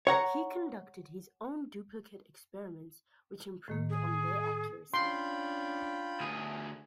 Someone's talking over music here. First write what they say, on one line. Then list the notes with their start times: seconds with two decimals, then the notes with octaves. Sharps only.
He conducted his own duplicate experiments which improved on their accuracy.
0.07 C#5 F#5 A#5
3.68 A2 D#3 A#3
3.90 G#4
4.94 C#4 D4 F4 G5 B5 C6
6.20 D2 G#4